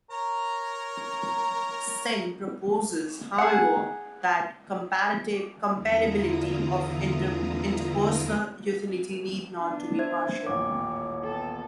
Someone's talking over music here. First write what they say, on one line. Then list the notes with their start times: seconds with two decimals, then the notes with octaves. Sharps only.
Sen proposes, however, that comparability of interpersonal utility need not be partial.
0.11 A#4 C#5 A#5
3.38 G#4 F#5
5.76 E2 D3 E4 F4 A#5 D#6
9.57 B3 D4
9.99 C5 E5 G#6
10.46 D#1 A1 A3 C#5 D6
11.24 B3 A4